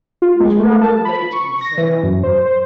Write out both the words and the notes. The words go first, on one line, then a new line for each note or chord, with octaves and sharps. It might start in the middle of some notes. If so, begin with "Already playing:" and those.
It was rather late in the sale.
F4
G#3
A3
A5
B5
C#6
A#6
E3
F#2
C5
C5